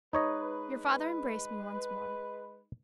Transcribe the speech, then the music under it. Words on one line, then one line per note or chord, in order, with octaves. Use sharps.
Your father embraced me once more.
G#3 D#4 B4 C#5 D#5